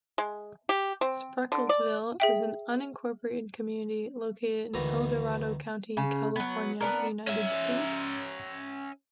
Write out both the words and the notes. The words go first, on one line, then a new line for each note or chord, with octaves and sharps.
Sprekelsville is an unincorporated community located in El Dorado County, California, United States.
G#3
G4
C4
D3
D5
G#4 E5 G5
D2 G#2 D#3 E3 A#5
C#3
F#3 B3
B3 D4 A#4
C#4 E5